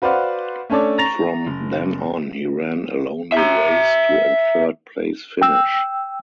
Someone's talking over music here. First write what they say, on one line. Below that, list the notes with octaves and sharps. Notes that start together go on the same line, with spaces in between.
From then on, he ran a lonely race to a third-place finish.
F#4 B4 C5 D5 F5 F#5
A3 C#4 D4 A4 C#5 D5
A#5 C#6 A6 A#6 F7
F#1
E5 A#5
G5 E6